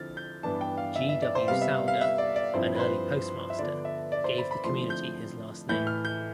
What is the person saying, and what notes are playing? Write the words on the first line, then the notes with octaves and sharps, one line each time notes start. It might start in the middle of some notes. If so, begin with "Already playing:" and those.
G. W. Souder, an early postmaster, gave the community his last name.
Already playing: D3 F3 C4 E4 F6 A6
G6
G2 E3 B3 D4 A5
G5
F5
E5
E5
D5
C5
C3 G3 B3 F5
E5
F5
F5
E5
D5
D5
G2 F3 C4 E4 C5
B4
C5
E5
D3 F3 B3 D4 D5
E5
D5
C5
B5
B5
D3 F3 A3 C4 E4 C6
G6
A2 E3 A3 E4 G6
F6
G6